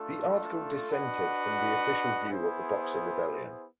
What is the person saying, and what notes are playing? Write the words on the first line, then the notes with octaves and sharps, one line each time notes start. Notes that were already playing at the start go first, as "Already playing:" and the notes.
The article dissented from the official view of the Boxer Rebellion.
Already playing: A3 D4 F4 A4
D4 F#4 B4 D#5 F#5
B3 E4 G#4 C5